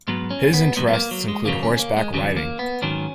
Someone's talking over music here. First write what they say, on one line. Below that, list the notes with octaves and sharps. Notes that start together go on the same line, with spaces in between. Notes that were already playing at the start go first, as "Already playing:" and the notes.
His interests include horseback riding.
G#2 F#3 B3
C#4
B3
G#2 F#3 B3
B3
A#3
F#3
G#3
D#2 C#3 F#3 A#3
C#4
A#3
G#3
D#2 C#3 F#3 G#3
A#3
B3
G#2 D#3 F#3 C#4